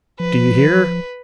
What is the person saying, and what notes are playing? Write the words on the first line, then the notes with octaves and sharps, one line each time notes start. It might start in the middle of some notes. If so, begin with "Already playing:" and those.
Do you hear?
F3 B4